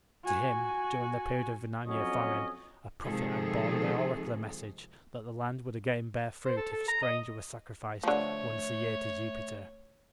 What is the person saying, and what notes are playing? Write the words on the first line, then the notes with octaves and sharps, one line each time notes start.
To him during the period of a nine-year famine a prophet had borne the oracular message that the land would again bear fruit if a stranger were sacrificed once a year to Jupiter.
F#4 G#5
F2 F#3 C#4 C#5 D#5
C3 D#3 F3 G#3 G#4 A4
C5
A4
A4
A#5
D#5
D3 F3 A3 C#5